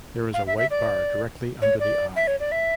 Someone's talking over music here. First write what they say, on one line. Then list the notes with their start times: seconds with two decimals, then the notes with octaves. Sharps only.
There is a white bar directly under the eye.
0.34 F5
0.47 E5
0.58 E5
0.71 D5
1.62 C#5
1.80 D5
2.16 E5
2.27 C#5
2.40 D5
2.52 E5